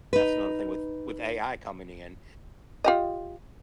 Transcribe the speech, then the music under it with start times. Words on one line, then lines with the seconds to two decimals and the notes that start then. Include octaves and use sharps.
That's another thing with with AI coming in,
0.13 D#4 B4
2.84 F4 G4 D#5